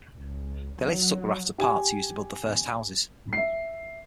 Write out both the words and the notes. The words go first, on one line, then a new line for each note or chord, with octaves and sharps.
They later took the rafts apart to use to build their first houses.
C#2
F#3
G4 G#5
E5 C7